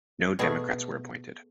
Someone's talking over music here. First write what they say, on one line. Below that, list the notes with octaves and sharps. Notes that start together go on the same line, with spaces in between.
No democrats were appointed.
B2 A3 G#4